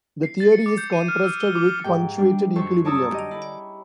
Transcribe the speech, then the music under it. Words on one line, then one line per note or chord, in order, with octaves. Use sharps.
The theory is contrasted with punctuated equilibrium.
C7
A6
C#7
D6
G6
D#7
F6
E6
G7
D6
G#2 G4 G5
G3 D4
F#2 A4 C5 C#6
C#5 D5 A5 A#5 D#6 E6
G4 D#5
E4